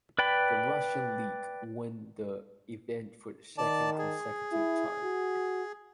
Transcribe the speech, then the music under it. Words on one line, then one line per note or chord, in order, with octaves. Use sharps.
The Russian League won the event for the second consecutive time.
B4 D5 G5 B5
D#3 D5 A5
G#4
E4
F#4